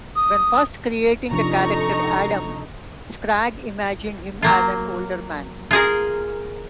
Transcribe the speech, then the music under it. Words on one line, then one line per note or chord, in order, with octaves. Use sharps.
When first creating the character Adam, Schrag imagined him as an older man.
D#6
C3 F3 D4 D#4 A4 A#5 C#6
F#3 A#3 F4
F4 G#4 A#4